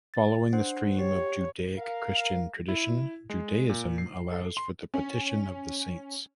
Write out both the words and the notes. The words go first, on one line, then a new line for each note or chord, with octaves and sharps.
Following the stream of Judaic-Christian tradition, Judaism allows for the petition of the saints.
A6
D4 C5 F#5
G4 C#5
A#4 F5
E4
G#3
A#2
C7
A4
C6
C#4